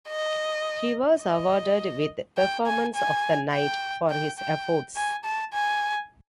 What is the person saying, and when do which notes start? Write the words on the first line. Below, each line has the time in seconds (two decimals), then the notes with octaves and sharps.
He was awarded with "Performance of the Night" for his efforts.
0.08 D#5
1.23 D#5
2.38 G5
2.66 G#5
2.95 G#5
3.52 G5
4.10 G5
4.38 G5
4.96 G#5
5.24 A5
5.53 G#5